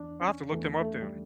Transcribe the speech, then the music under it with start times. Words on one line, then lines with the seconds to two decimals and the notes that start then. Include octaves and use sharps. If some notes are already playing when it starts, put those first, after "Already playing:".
I'll have to look them up, then.
Already playing: E2 E3 D4
0.21 C#4
0.52 E2 E3 A3
0.82 A3
1.02 G3